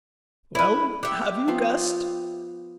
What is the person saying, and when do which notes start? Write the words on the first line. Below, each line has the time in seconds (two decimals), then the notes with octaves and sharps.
"Well, have you guessed?"
0.55 E4 B4 D5
1.03 G4 E5 F#5
1.48 F3 B3 F4